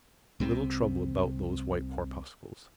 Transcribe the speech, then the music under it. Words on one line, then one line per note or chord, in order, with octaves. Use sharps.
A little trouble about those white corpuscles.
C2 C3 F#3 C4